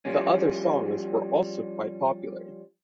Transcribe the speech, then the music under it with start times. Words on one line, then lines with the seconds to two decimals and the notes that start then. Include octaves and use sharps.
The other songs were also quite popular.
0.05 F3 G3 C#4